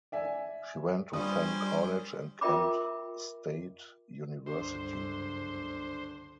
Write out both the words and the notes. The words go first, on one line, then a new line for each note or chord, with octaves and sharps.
She went to Fenn College and Kent State University.
D5 E5 G#5
G3 C#4 D4 F4 B4 C5 D#6
F4 A#4 E5 G5 B5 D6
G1 C#2 F#2 D3 C5